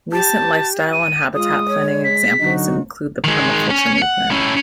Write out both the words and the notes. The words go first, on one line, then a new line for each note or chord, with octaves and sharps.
Recent lifestyle and habitat planning examples include the permaculture movement.
G4 A5
D#7
G#3 F4 D#6
C#5
B6
D3 F#3 D#4 F#4
D#3 G#3
C#4
F#5
C#4 E4